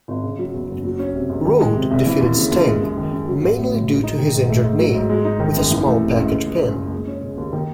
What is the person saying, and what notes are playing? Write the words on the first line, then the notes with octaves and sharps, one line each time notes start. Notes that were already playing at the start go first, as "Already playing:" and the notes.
Rude defeated Sting, mainly due to his injured knee, with a small package pin.
G#1
C#3
F#3
E2
F#1
F#3
C#4
C3
C#2
D#3
G#3
C3
C2
E3
D#2
C#3
D#2
G#3
F#2
D#3
F#2
F#3
A1
A2
A1
G#3
D#4
D#3
G#2
A3
G#2
F#3
G#2
G#3
D#4
D#3
F#2
E3
A3
C3
C#2
C#3
G#3
F#2
F#1
G#3
C#4
C#3
D#2
D#3